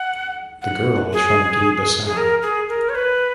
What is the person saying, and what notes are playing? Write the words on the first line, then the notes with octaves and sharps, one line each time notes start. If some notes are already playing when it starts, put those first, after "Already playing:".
The girl is from Guinea-Bissau.
Already playing: F#5
F#5
G#4
G#4
A#4
G#4
A#4
C#5
B4